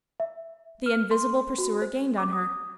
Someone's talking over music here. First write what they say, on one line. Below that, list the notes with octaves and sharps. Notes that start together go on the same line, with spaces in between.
The invisible pursuer gained on her.
E5
F6
C6
F#4
C5
D6
D#6